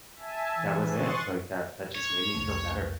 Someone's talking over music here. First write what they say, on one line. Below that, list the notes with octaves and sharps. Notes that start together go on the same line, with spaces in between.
that was it, like, that that just made me feel better.
E5 G#5 A5
E3
C6 C#6 D#6 F#6 A6
C#5
F1 C2 A3